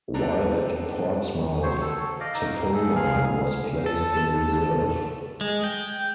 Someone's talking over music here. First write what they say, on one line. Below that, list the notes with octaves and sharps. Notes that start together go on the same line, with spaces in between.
While at Portsmouth, "Tacoma" was placed in reserve.
B3 C4 D4 A4 A#5
F#3 C5 C#5
A4
D5 D#5 F5
D#4
G#4 A4
G#4 F5
A4
G#3
G5